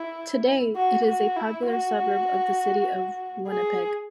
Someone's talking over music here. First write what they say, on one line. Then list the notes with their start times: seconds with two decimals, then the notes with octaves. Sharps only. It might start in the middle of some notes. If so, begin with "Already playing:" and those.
Today, it is a popular suburb of the City of Winnipeg.
Already playing: E4
0.76 F#4
1.06 F#4
1.36 E4
1.67 F#4
3.48 G#4